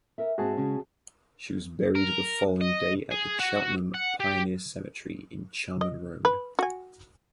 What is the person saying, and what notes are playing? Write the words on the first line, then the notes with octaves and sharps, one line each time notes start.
She was buried the following day at the Cheltenham Pioneer Cemetery in Charman Road.
A#4 E5
G#2 C4 F#4 G#4 A5
C#3 G#3 C#4
A#4
D#5
G#4
F#4
F#5
G4
D#5
B4
F#4 G#5